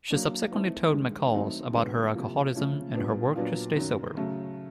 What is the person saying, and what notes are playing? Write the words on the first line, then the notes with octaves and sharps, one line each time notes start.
She subsequently told "McCall's" about her alcoholism and her work to stay sober.
F#3 A#3 D4
E3 A3 C4 D#4
G2 D#3 G#3
D#3 F#3 A3 C4 D#4
D3 F3 G#3 B3
C3 F3 A#3
C#3 F3 A3 C#4
A#2 G3 B3 D4
A#2 F#3 B3 D4 F4
F#2 D#3 F#3
C#3 F#3 A3